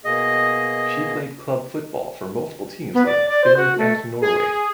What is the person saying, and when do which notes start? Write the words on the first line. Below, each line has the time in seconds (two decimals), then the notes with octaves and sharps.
She played club football for multiple teams in Finland and Norway.
0.05 B2 A#3 G#4 D#5
2.94 B3
3.06 D5
3.29 D5
3.44 C5
3.57 F#4
3.78 A3
4.22 G#4